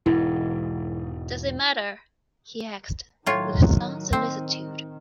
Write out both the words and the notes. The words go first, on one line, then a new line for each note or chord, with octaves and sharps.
"Does it matter," he asked, with some solicitude.
E1 G#2 E4
A2 D#3 F#3 F4 C#5
D#3 C4